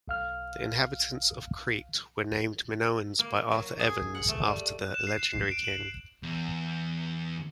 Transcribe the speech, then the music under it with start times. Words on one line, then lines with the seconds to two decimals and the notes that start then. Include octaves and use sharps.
The inhabitants of Crete were named Minoans by Arthur Evans, after the legendary king.
0.08 B1 F5 F6
3.19 A#3
3.51 F#3
3.80 G#4
4.15 F#5
4.28 A3
4.47 G3
4.81 F#6
4.94 E7
5.07 C7
5.19 E7
5.33 C7
5.52 D7
5.64 F#7
6.23 E2